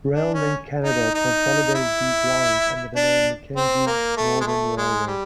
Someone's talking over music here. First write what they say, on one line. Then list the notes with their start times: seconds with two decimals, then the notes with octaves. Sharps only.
RailLink Canada consolidated these lines under the name Mackenzie Northern Railway.
0.14 D4
0.34 C#4
0.84 D#4
1.14 D#4
1.75 E4
2.96 D4
3.56 C4
3.87 A#3
4.17 A3
4.41 G#3
4.47 A3
4.77 G#3
5.07 G3